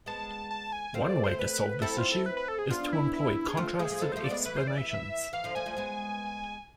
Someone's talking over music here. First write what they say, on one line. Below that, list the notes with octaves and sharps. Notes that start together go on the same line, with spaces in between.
One way to solve this issue is to employ contrastive explanations.
G#3 B3 A5
A5
A5
G#5
A3 C4 F5
C5
D5
C5
B4
C4 E4 A4
F4
A4
B4
B4
A4
G#4
B3 D4 F4
E4
E4
G#4
A3 C4 F4
F3 A3 G#4
F3 A3
G#3 B3 A4
F3 A3 C5
D5
G#3 B3
E3 B4
C5
D5
E5
E5
E3 F5
D3 F3
F3 A3 G#5
F3 A3
G#3 B3